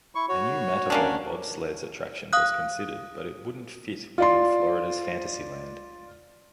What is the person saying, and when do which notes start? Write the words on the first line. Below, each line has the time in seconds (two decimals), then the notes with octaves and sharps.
A new Matterhorn Bobsleds attraction was considered, but it wouldn't fit within Florida's Fantasyland.
0.15 E4 C#6
0.29 F#4 C#5
0.90 A#3 C#4 D4
2.33 F5 D#6 F#6
4.18 F4 D5 C6